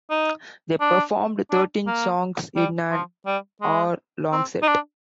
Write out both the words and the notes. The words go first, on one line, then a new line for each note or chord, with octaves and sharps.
They performed thirteen songs in an hour-long set.
D#4
D4
D4
A#3
G3
F3
G3
G#3
C4
D#4
D4